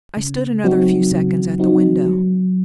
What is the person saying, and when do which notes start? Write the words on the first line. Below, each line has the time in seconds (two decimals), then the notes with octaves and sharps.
I stood another few seconds at the window.
0.17 C#3
0.64 F#3 C4 D#4 F#4
1.12 C#3
1.59 F#3 C4 D#4 F#4
2.06 F#3